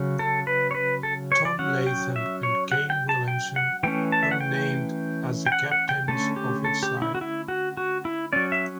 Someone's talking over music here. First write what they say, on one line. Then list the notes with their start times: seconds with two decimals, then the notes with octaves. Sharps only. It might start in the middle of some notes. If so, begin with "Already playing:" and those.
Tom Latham and Kane Williamson were named as the captains of each side.
Already playing: C#3 F#3 C#4
0.19 A4
0.47 B4
0.71 C#5
0.75 B4
1.03 A4
1.32 C#5
1.45 D5
1.59 F#3 C#4 F#5
1.87 G5
2.16 E5
2.43 C#5
2.72 F#5
2.90 G5
3.09 A5
3.28 G5
3.56 F#5
3.83 E3 A3 C#4 G5
4.12 A5
4.23 E5
4.31 F#5
4.40 G5
5.46 G5
5.52 F#5
5.71 F#5
5.89 G5
6.08 D3 A3 C#4 A4
6.36 G4
6.65 A4
6.83 G4
7.02 E4
7.15 F#4
7.21 E4
7.48 F#4
7.77 F#4
8.05 E4
8.33 F#3 C#4 D5
8.52 E5